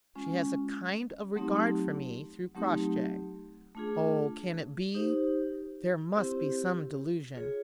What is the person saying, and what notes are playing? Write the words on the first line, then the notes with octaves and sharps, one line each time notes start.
She has a kind of regard for me, through Crossjay.--Oh, can it be? There must be some delusion.
G#3 C#4 F4
F#3 A3 C4 D#4 G4
F#3 A3 C4 D#4 G4
A3 D4 F4 G#4
D#4 G4 C5
C4 E4 G4 C5
F4 G#4 C#5